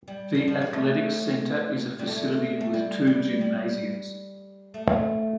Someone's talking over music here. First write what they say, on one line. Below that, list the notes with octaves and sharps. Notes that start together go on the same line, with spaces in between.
The Athletic Center is a facility with two gymnasium.
G3
D3
F3
G3
A3
G3
A3
A3
G3
G3
G3
A3